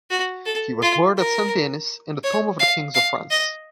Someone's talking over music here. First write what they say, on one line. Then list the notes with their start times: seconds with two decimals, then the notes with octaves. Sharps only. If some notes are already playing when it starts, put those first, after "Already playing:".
He was buried at Saint-Denis in the tomb of the Kings of France.
0.10 F#4
0.46 A4
0.82 F4
1.17 A#4
2.24 C#5
2.59 F5
2.94 F5
3.31 D#5